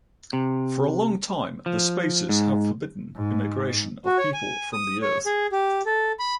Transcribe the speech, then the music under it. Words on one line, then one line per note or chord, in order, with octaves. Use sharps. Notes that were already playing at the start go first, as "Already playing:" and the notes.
For a long time, the Spacers have forbidden immigration of people from the Earth.
C3
F3
G#2
G#2
F#4
C#5
G#5
D#6
C#5
G#4
G4
A4
B5